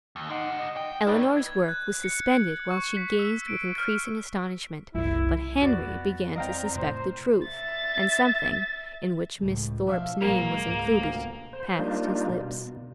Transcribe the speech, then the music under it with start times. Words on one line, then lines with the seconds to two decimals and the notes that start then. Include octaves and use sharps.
Eleanor's work was suspended while she gazed with increasing astonishment; but Henry began to suspect the truth, and something, in which Miss Thorpe's name was included, passed his lips.
0.16 D#2
0.30 G3 D#4 F#5 C6 D6
0.59 D#5
0.77 G5
1.07 A2 D#4 E4 B4 D5
1.37 G#6
1.68 F#6
2.04 C#7
2.28 F#7
2.71 C#6
2.97 B6
3.19 E6
3.48 D7
3.78 F6
4.95 F#1 C2 E4
5.61 F2 B3 F#4 D5
6.36 C4 D5 D#5 F5 G5 A#5
6.76 A2 C3 C5
7.46 E5 A6
9.40 C#2 A2
9.87 B2 F3 D4 E5 F5
10.21 A#1 F#3 G#3 A#3 A#4
10.61 C#2 G#2
11.00 D2 B2 F4
11.53 C5
11.79 G3 A#3 D4 D#4 F4
12.30 B2